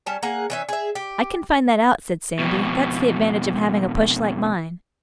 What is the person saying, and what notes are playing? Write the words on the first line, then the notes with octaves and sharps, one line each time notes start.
'I can find that out,' said Sandy. 'That's the advantage of having a push like mine.
G3 C#4 A5
A#3 G#4 F#5
E3 C#4 E5
G#4 E5
G4
F2 B2